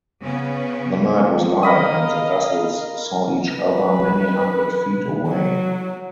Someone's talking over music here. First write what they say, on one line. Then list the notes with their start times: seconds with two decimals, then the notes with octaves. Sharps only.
The night was light and the vessels saw each other many hundred feet away.
0.21 C#3 B3 C#4
1.63 A#4 D#5 F5 B5 D#6
3.54 B4
5.27 F#3